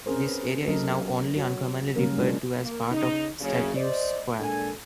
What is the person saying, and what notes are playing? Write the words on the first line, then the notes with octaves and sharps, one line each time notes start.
This area is now only uncommonly referred to as part of Statue Square.
C4 C#4 G#4 A#4 C5
B4
F#3 A#3 C#4 A4 A#4 D#5
F#4 C#5
C#3 F#3 G3 A#3 C#4 A#4
F#3 G#3 D4 F4
A#3
C#3 D#4
F#1 C#3
C5 D5 D#5
A#2 G#3 D4 A4 G#5